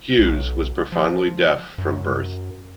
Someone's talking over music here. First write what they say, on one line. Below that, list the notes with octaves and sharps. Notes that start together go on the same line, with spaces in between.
Hughes was profoundly deaf from birth.
B1
F3
F#2